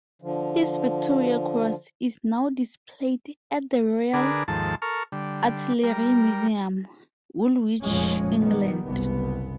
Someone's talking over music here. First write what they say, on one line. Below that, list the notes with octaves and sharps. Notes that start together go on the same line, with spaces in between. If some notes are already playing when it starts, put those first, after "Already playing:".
His Victoria Cross is now displayed at the Royal Artillery Museum, Woolwich, England.
D3 F3
D3 D4 G#4 A#4 B4
D#2 G#2 F3 A4 A5
A4 A#4 C#6 F6
D3 G3
G3 A#4
F1 A#2 F3 G#3 C#4
D#3 G3 B3
F#1 C2 B3